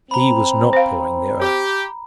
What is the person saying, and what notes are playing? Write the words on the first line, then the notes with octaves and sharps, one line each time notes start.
He was not pawing the earth.
C4 A#5 B5
C5 F5
G4